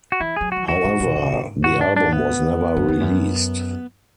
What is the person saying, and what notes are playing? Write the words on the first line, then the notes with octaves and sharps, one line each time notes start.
However, the album was never released.
F#4
E3 E4
F#3 G#4
F#3 F#4
E3
F#4
C#3
B2
A2
G#2
F#4
D4
D4
B3
F#2
E2
F#2